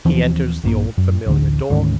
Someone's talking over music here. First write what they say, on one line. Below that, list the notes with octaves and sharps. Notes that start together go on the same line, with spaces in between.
He enters the old familiar door.
D#2 E3 F3 C4
A#1 G2 F3 A#3
F#2
A1 D2 D3
D2 G#2 D#3 C#4